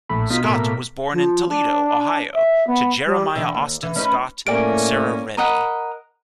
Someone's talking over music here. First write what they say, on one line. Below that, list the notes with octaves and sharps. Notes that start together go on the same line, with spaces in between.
Scott was born in Toledo, Ohio, to Jeremiah Austin Scott and Sarah Remey.
A#1 A2 B5
B2 D#4 F4 B6
A2 A#3
F3
D4
E5
B3
G3
D3 E3
D#2
E3
C#4 D#4 B4
A2 A#3 C#4 A#4 D5 G#5 D7
A#4 D#5 F#5 B5